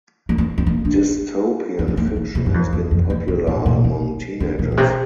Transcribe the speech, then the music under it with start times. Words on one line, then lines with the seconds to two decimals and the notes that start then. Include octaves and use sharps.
Dystopian fiction has been popular among teenagers.
0.29 A#3
0.38 C4
0.58 C4
0.67 A#3
0.85 D4
1.79 E4
1.88 C4
1.97 A#3
2.07 A3
2.16 A#3
2.35 C3
2.46 G2
2.54 F2
2.73 F2
2.91 F2
3.10 F2
3.28 F2
3.47 A2
3.66 A#2
3.84 C3
4.40 D3
4.59 C3
4.72 A#2
4.77 C3